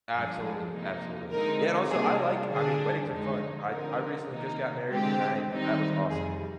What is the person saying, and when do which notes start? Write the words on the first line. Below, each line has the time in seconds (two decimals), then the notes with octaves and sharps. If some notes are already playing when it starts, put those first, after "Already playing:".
Absolutely, absolutely. Yeah, and also, I, like, I mean, weddings are fun. I I recently just got married and I that was awesome.
0.13 G2 F3 G#3 D4 G#4
0.72 C3 F3 A#3 D#4
1.31 D3 G#3 C4 D#4 A#4
1.91 C3 G3 A#3 D4 G#4
2.51 D3 G3 D4 G#4
3.11 F2 D3 G#3 D#4
3.70 D3 F3 C4 D#4 A#4
4.30 C3 D#3 A#3 D#4
4.89 D3 G#3 C4 G4
5.50 D#3 G3 C4 D#4
6.09 F2 C3 G3 G#4